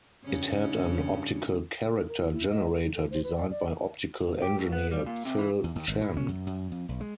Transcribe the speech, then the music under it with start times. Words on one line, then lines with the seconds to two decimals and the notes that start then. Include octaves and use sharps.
It had an optical character generator designed by optical engineer Phil Chen.
0.24 G2 C#3 C#4
1.91 A4
2.08 A#4
2.20 E4
2.31 E4
2.49 D#5
2.70 A4
2.83 D#4
2.95 A4
3.11 C5
3.24 B4
3.37 D5
3.50 D5
4.42 G4
4.58 C#2
4.72 B3
4.91 G3
5.06 A#2
5.25 C3
5.39 E3
5.64 E2
5.76 D#2
5.88 G#1
6.01 A2
6.17 C#4
6.28 F#2
6.47 F#2
6.72 F2
6.89 B1
7.01 G#3